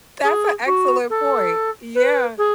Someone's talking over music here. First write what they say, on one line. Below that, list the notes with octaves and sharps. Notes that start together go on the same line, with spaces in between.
That's an excellent point. Yeah.
G#4
F#4
A4
B4
G#4